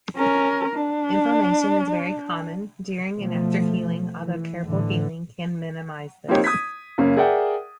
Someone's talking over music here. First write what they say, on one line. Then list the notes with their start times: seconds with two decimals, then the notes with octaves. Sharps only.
Inflammation is very common, during and after healing, although careful healing can minimize this.
0.16 C#4 A#4
0.75 D4
3.18 B2 F3 A3
4.18 E3
4.65 A2 D3 E3
6.28 F3 A#3 C4 D#4 G4 C#5
6.44 D#6 G#6 B6
6.98 F#2 C#3 A#3 C#4
7.17 G#4 A#4 D5 E5 F#5 G5